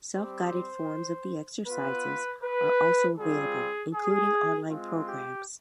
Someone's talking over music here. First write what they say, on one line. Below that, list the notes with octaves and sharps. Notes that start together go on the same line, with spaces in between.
Self-guided forms of the "Exercises" are also available, including online programs.
G3 C4 G4 C5
B3 F4 B4
B4
G3 C4 F4 G#4
G#4
G#3 C4 F4
G4